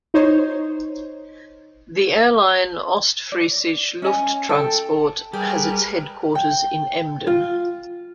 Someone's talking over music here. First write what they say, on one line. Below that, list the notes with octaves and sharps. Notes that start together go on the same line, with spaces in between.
The airline Ostfriesische Lufttransport has its headquarters in Emden.
D#4 C5 C#5
D5
C#4 D#5 G#5
A4 G5
G3 G#4 A#4 B4 G5
G5
F4